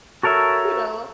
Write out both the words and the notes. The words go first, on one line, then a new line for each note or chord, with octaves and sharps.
You know?
F#4 A4 A#4 C#5 E5